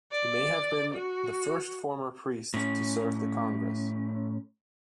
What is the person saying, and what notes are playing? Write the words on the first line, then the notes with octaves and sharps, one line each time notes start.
He may have been the first former priest to serve in Congress.
D5
F#4
A2 C#4